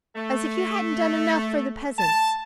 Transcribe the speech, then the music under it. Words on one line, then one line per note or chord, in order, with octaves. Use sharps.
As if you hadn't done enough for the peasants!
A3
A5